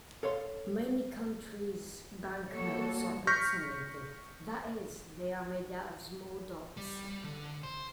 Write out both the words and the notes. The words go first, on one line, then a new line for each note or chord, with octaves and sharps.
Many countries' banknotes are pixelated-that is, they are made out of small dots.
A4 C#5 F5 C6
G3 A#3 F#4 A4 C#5
C#6 F6 G6 A#6 B6
G3
D3
C5